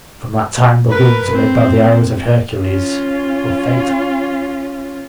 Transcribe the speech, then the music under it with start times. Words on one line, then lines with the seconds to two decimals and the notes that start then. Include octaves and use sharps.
From that time the wounds made by the arrows of Hercules were fatal.
0.89 A#4 B4
1.33 C4
2.56 C#4 F4